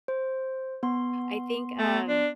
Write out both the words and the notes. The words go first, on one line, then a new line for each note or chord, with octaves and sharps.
I think, um,
C5
B3 C6
A3
D4